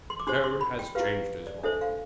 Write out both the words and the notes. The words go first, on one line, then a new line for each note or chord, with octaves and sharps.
Toad has changed his mind.
C6
D6
D4 G4 C5 C6
C6
B5
G5
E4 G4 B4 F5
D5
D4 A4 C5 E5
F5